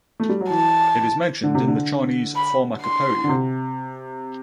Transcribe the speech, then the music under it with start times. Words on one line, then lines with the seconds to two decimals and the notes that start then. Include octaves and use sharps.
It is mentioned in the "Chinese Pharmacopoeia".
0.20 A3
0.29 G3
0.40 F#3
0.50 E3 A5
1.43 D3
1.55 C3
1.68 D3
2.36 B5
2.82 C6
3.24 D3
3.29 C3